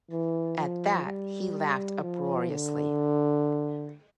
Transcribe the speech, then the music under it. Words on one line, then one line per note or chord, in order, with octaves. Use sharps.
At that he laughed uproariously.
E3
F3
G3
F3
D3